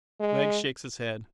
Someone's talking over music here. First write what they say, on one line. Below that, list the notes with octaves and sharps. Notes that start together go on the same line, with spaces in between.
Wegg shakes his head.
G#3